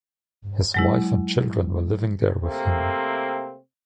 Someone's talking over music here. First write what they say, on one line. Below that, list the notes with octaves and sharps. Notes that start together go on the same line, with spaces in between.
His wife and children were living there with him.
F#3 G#3 E4
C3 A3 A#3 C4